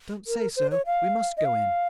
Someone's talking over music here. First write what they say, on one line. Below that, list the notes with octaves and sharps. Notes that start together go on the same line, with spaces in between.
'Don't say so; we must go in.
A#4
C5
C#5
F5
D#5
F5